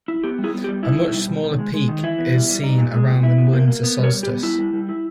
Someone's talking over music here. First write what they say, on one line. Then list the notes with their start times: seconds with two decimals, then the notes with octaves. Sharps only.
A much smaller peak is seen around the winter solstice.
0.08 E4
0.23 B3 G4
0.39 G3
0.44 E4 G#4
0.54 B3
0.64 G4
0.68 G3
0.83 D#4 E4
0.98 B2
1.14 G3
1.28 B2
1.44 D#3
1.59 G#3
1.74 G#3
1.88 D#3
2.03 E3 E4
2.18 B3
2.34 G3
2.49 G3
2.64 D#4
2.78 A#2
2.93 G#3
3.08 A#2
3.23 E4
3.38 B2
3.53 A#3
3.68 A#3
3.83 B3
3.99 G3 A#4 C#5
4.13 G3
4.23 G4
4.28 B3
4.43 G3 E4
4.58 G3
4.73 G3
4.89 E4